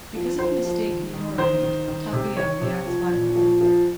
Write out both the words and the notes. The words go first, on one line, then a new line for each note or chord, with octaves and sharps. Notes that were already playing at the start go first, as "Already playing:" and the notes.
Because of a mistake Minoru made, Takuya reacts violently.
F3
F3 C5
F3
D#3
D#3
D#3 C5
D#3
D#3
C3
D#3 C#5
C3
F3
A#2
F3
F3